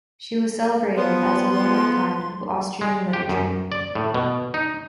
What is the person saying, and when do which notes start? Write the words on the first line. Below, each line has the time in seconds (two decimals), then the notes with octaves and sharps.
She was celebrated as a wunderkind of Austrian literature.
0.97 F3 B3 C6
2.81 G#3
3.13 G4
3.29 F#2
3.72 D5
3.95 A2
4.14 B2
4.54 D#4